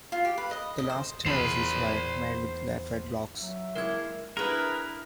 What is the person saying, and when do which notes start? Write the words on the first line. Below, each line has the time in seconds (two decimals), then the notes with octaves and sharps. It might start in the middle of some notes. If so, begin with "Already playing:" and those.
The last terrace is wide, made with laterite blocks.
0.12 F4
0.25 G4
0.38 B4
0.51 D#5
0.78 D#5
0.90 C5
1.26 E2 C5 B5
3.38 F#3 E5
3.75 G#3 A#3 E4 A#4 G#6
4.37 D4 E4 G#4 A#4 B4